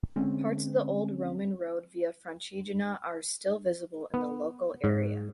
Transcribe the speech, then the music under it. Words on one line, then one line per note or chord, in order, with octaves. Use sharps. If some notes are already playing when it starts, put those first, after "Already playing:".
Parts of the old Roman road Via Francigena are still visible in the local area.
D3 G#3 C4 C#4
B3
G#2